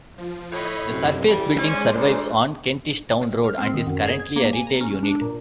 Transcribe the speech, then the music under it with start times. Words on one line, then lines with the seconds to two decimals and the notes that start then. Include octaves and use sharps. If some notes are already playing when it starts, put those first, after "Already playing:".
The surface building survives on Kentish Town Road and is currently a retail unit.
0.18 F3
0.52 A2 C#5 D#5 B5
0.88 F#2 C3
1.28 E3 G3
1.58 G#3 C#4 C5 D5
1.96 D2
3.44 F6
3.58 C4
3.74 D#3
3.87 F#2
4.03 G#4
4.20 G#6
4.36 A#3
4.53 G#5
4.67 A#5
4.81 C#4
5.03 D4
5.21 A#2